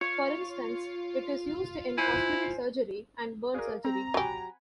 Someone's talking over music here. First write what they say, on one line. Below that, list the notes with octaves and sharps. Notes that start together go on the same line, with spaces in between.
For instance, it is used in cosmetic surgery and burn surgery.
F4 C#5
E4 B4 C5 G#5
F#4 G#4 A#4 D5 F5
C4 A#5
F#3 G4 F#5 G#5 B5